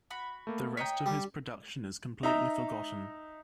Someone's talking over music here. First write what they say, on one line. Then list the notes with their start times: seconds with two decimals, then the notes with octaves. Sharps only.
The rest of his production is completely forgotten.
0.10 F#4 B5
0.47 A3 A#3
0.77 C#5 D#5 G5 A#5 B6
1.06 G3
2.23 D#4 E5 A#5